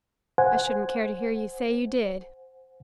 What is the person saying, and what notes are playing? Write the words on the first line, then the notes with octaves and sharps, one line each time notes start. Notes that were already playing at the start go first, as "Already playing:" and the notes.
I shouldn't care to hear you say you did.
C5 F#5 G#5